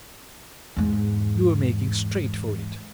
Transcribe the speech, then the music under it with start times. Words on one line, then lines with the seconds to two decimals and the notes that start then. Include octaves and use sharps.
You were making straight for it.
0.77 E2 G#2